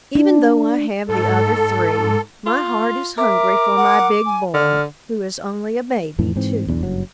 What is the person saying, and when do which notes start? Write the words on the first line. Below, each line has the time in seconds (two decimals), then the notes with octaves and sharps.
Even though I have the other three, my heart is hungry for my "big boy," who is only a baby, too.
0.15 D4
1.09 G#2 A4
2.46 F4
3.18 A#4 E5 D6
3.77 F#5
4.26 G#5
4.54 D3 F6
6.19 F2 A2 E3
6.36 G#2 E3 C4
6.67 B1 E2 C#4 D4
6.81 F#1 G2 F#3